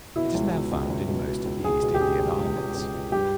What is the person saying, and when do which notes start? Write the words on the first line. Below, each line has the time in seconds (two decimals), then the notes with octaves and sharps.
It is now found in most of the East Indian Islands.
0.15 B2 E4
0.35 C#2
0.53 B2
0.71 C#2
0.89 C#2
1.09 B2
1.27 B2
1.45 C#2
1.64 C#2 G#4
1.82 B2
1.94 G4
2.01 C#2 G#4
2.19 C#2
2.38 C#2
2.57 C#2
2.75 C#2
2.94 C#2
3.12 G2 G4